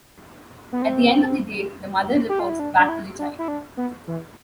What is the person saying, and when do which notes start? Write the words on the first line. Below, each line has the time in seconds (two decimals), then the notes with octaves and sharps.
At the end of the date the mother reports back to the child.
0.72 B3
0.82 C4
2.29 G4
2.39 F4
2.49 E4
2.59 D4
2.79 D4
2.89 E4
3.19 D4
3.39 E4
3.48 D4
3.77 B3
4.08 E3